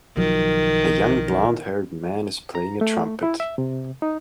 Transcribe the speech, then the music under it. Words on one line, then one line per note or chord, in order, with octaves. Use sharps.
A young blondhaired man is playing a trumpet.
B1 D#3 F3 F#3
A#5
A3
E4
E5
C3
D#4